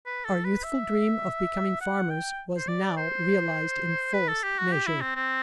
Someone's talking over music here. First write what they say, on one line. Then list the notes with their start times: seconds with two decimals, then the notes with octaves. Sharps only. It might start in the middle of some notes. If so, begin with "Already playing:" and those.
OUR youthful dream of becoming farmers was now realized in fullest measure.
0.06 B4
0.25 A4
0.45 B4
0.64 E5
1.81 F#5
2.10 G5
2.58 C5
2.68 D5
2.97 C5
4.14 B4
4.28 A4
4.43 G4
4.58 F#4
4.73 G4
4.87 E4
5.02 C4
5.16 C4